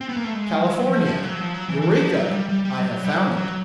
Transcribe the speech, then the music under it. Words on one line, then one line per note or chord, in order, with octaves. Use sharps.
California--Eureka: I have found it.
C4
B3
A#3
A3
G#3
F#3
F3
F3
F#3
F3
F#3
E3
E3
F3
F#3
G3
G3
G3
F#3
G3
F#3
F3
F#3